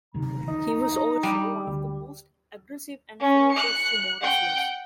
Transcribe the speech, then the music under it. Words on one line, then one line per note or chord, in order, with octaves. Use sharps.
He was also one of the most aggressive and ferocious sumo wrestlers.
D2 C3 D#3 A#5
D#3 D#4
G3
D2
C#4
F#6 C#7
F#5 G5